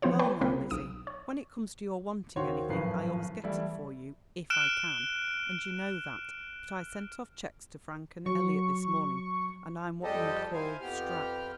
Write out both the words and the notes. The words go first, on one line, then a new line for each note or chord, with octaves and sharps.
"Well, now, Lizzie, when it comes to your wanting anything I always get it for you--if I can; and you know that; but I sent off cheques to Frank and Elliot this morning, and I'm what you'd call strapped."
F3 B3 E4 F4 C5 C#5
B4 C#5 G5 A5 B5 C#6
C2 A#3 C4 F4 A#4 B5
B1 D#6 D7
C#5
D#2 D#3 F#4 C5 C#5 C6
G#1 F#2 A2 F3 B4 C7
E3 G3 A3 E4
F6 F#6 D7 E7
F#3 C#6
F2 G3 G#3 G4 A4 D#5
E4 C5 F5 G#5
F2 B3 G4 F6